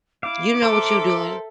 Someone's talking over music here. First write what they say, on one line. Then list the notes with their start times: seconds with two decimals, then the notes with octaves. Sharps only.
You know what you doing.
0.23 E4 F5 D6
0.62 A4 A#4 C5 E5